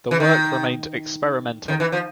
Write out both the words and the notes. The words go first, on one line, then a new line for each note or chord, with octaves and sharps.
The work remained experimental.
E3
D#3
D#3
E3
F3